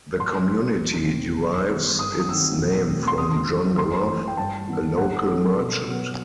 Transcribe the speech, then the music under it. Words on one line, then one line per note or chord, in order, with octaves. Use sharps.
The community derives its name from John Roth, a local merchant.
A2 C6
G3 B3
E2
B2 A3 C4
F#2
D#3 G3 B3
G2 D#6
D#6
D#3 F#3 C4 E6
B2
A3 C4
C6
C3 D#6
E3 G3
F#2 C6
E3 A3
G5
G2 A5
E3 B3
A2 F#5
F#3 C4 A4
B2
F#3 B3